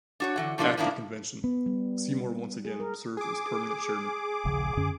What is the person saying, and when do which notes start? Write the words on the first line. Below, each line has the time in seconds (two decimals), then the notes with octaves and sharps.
At the convention, Seymour once again served as permanent chairman.
0.20 D4 F#4 C#5
0.36 D3 E3 F#5
0.58 A2 F3 G3 A#3 D4 F4
0.77 G#2 C#3 F3 A#3 D4 E4
1.44 B3
1.66 G3
2.65 G#4
2.80 A#4
3.17 G#4 D6
4.45 D#1 A#1 C#3
4.77 F#2 D3 C#4